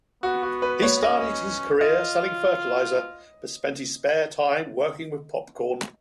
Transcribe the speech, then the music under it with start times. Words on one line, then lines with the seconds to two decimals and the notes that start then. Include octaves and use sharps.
He started his career selling fertilizer, but spent his spare time working with popcorn.
0.23 B3 F#4
0.43 F#4
0.62 B4
0.82 C#5
0.96 B3
1.02 C#4 D#5
1.80 F4 D#5